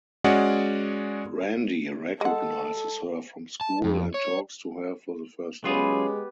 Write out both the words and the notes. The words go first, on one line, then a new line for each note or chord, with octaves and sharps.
Randy recognizes her from school and talks to her for the first time.
G#3 C#4 F#4 D5 D#5 F#5
G#3 A4 F#5
A5
F2
C#5
F#3 G#3 B3 C#4 F4 G4 G#4